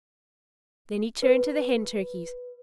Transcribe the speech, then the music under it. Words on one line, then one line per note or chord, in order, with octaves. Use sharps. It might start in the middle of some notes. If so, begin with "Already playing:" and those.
Then he turned to the Hen Turkeys.
B4